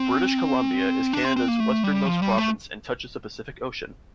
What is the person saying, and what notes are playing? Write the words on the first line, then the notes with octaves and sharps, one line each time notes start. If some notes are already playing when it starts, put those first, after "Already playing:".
British Columbia is Canada's westernmost province and touches the Pacific Ocean.
Already playing: C4
D4
C4
C4
A#3
A3
G3
F3
G3
A3